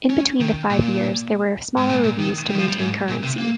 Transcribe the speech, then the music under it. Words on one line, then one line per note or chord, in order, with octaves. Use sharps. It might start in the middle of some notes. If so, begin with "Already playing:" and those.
In between the five years, there were smaller reviews to maintain currency.
C#4
D#3
A#2
G#2
A#2
A#2
D#3
G3
D#3
F3
G3
G#2
A#2
C3
A#3